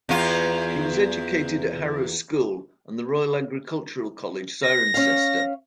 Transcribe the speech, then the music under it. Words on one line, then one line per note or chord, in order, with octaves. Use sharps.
He was educated at Harrow School and the Royal Agricultural College, Cirencester.
E2 F4
A#6
C#4 F5